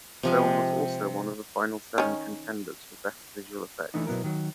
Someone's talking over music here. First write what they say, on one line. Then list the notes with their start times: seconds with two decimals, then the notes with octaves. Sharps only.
The film was also one of the final seven contenders for Best Visual Effects.
0.23 C3 F3 G#3
1.98 D#3 C#4
3.94 E3 A3 D4 D#4
4.07 B2 F#3 B3 E4 A#4
4.24 D#3 F#3